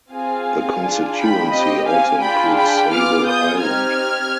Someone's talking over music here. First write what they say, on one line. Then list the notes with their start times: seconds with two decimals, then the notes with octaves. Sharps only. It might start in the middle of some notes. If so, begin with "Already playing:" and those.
The constituency also includes Sable Island.
0.12 C4 F4 G#4 F5 G#5
0.82 D4 F4 G#4
1.17 G5 B5
1.51 C4 G4 D#5 G5
1.87 F5 G#5
2.21 D4 F4 G#4 G5 B5
2.56 G5 B5
2.92 B3 F4 G#4 D6 F6
3.26 D#6 G6
3.61 C4 D#4 G4 F6 G#6